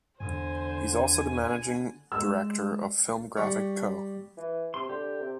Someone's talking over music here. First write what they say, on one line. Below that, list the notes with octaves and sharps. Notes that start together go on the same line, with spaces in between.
He is also the managing director of "Filmgrafic Co".
E2 D3 C5 G#5
G#3 E6
G3 C#6
E3
C3 C6
D3 G4
C3